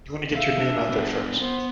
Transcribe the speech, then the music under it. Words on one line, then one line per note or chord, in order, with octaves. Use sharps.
You wanna get your name out there first
D#2 E5 F5
D4
B3 D4
B3 C5